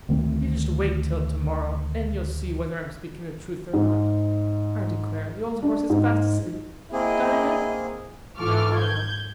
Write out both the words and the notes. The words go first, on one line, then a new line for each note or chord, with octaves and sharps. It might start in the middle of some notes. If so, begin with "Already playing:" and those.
"You just wait till to-morrow, and you'll see whether I'm speaking the truth or not.--I declare the old horse is fast asleep!--Diamond!--No I won't."
D2 D#3 A3 C4
G#2
D4
G#2
A#3 C4 E4 G#4 D#5
G#2 F4 A4 C#6 D6 F6
G6 G#6